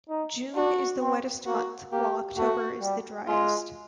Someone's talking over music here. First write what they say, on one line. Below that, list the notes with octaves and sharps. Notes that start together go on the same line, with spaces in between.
June is the wettest month while October is the driest.
D#4
D4 F#4
C4
A#3 F#4
A#3 G4
A3 F#4
G3
G#3 F4